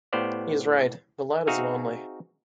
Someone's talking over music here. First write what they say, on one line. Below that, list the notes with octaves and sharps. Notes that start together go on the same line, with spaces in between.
She's right; the lad is lonely.
A2 B3 G4 C5 D5 F5
C4 D#4 F#4 G#4 E5 F5